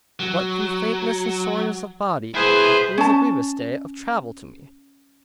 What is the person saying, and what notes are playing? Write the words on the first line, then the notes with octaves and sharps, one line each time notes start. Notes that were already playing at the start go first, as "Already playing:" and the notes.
What, through faintness and soreness of body, it was a grievous day of travel to me.
F#3
B2 E4 G#4 B4 C5
C#4 A5